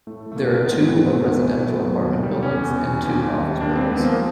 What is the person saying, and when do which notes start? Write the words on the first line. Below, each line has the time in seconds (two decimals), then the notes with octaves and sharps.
There are two of residential apartment buildings, and two office buildings.
0.07 A2 A3
0.26 A2
0.32 A3
0.36 A#3
0.47 A3
0.66 G#2 B3
0.85 G#2 C4
1.04 G#3 B3
1.25 D2 B3
1.44 A3
1.64 F#3
1.84 D#2
2.03 D#2
2.23 G3
2.42 E2 C#4
2.63 E2
2.83 G3
3.02 D#2
3.21 D#2
3.41 G3
3.60 D#2 D4
3.76 C4
3.81 G#3
3.91 B3
4.00 F3
4.05 A#3